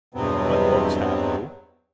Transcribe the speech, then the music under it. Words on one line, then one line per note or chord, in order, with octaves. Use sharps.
"What books have you?"
E2 G2 B2 F#3 B3 C4